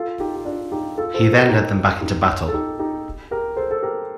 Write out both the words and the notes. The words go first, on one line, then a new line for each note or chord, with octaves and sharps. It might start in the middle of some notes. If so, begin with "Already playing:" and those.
He then led them back into battle.
Already playing: F4 A4
D#4 G4
G4
D4 F4
D#4 G4
F4 A4
A4 C5
G4 A#4
D#4 G4
D#4 G4
A4
D#4 G4
D#4 G4
G4 A#4
A4 C5
A4
G4 A#4